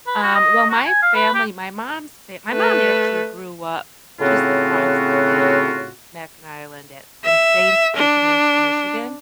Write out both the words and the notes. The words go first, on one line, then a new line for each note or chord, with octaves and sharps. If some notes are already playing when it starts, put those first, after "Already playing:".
Um, well, my family my mom's fa my mom actually grew up just across the lake from Mackinac Island at in Saint Ignace, Michigan.
B4
F#4
D#5
F#4
G#5
F5
B4
G4
A3 B4
A2 C#3 C4 F4 F#4
E5
D4